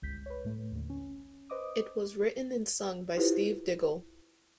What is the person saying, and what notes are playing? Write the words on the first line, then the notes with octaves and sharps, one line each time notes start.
It was written and sung by Steve Diggle.
G1 C#2 G6 B6
B4 C#5
A2 A3
D#2 D3
C#4
B4 C5 D#5 D6 D#6
E4 F4 G4 B4 C5